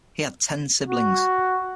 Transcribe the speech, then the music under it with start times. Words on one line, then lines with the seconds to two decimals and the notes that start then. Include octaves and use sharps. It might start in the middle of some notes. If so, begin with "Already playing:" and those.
He had ten siblings.
0.88 F#4